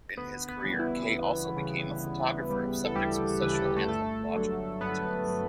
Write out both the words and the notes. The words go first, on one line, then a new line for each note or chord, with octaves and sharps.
Later in his career Kay also became a photographer of subjects with socio-anthropological contents.
D2 B3 B4
B3 B4
C#3 E3 G3
E3 E4
D2
C#3 E3 G3
D2
C#3 E3 G3
A4
D2 G3 G4
C#3 E3 G3 B4
A4
G4
A3 A4
G1 A3 A4
G2 D3 F#3
G1 B3 B4
D3 F#3